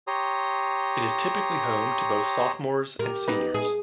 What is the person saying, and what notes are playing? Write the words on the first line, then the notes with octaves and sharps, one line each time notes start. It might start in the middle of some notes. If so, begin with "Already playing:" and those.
It is typically home to both Sophomores and Seniors.
G4 C#5 A#5 C6 D#6
G4 A#4
B3 D#4 B4
G#4